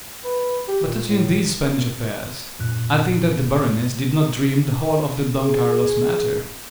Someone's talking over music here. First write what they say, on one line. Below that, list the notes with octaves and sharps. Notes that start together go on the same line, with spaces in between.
But touching these Spanish affairs, I think that the baroness did not dream the whole of the Don Carlos matter.
B4
G4
A#2
A2
F#2 A#2 F#6
G#4